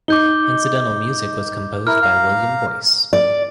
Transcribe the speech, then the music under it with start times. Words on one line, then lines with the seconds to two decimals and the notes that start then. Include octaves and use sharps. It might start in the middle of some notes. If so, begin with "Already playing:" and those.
Incidental music was composed by William Boyce.
0.08 D#4 D6 G6 G7
1.87 E4 A#4 F6
2.02 F5 A#5
3.13 D5